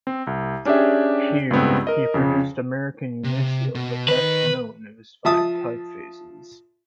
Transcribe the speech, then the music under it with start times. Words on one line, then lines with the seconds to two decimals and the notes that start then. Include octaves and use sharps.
Here, he produced American Uncial the best known of his five typefaces.
0.07 C4
0.27 C2
0.65 C#4 D4 G4 G#4 E5
1.51 C#2 G2 B3 C4
1.87 A#4 D#5
2.14 F2 C#3
3.24 C3
3.75 B2
4.09 D#3 B4 D#5
5.25 F3 E5 A5 D#6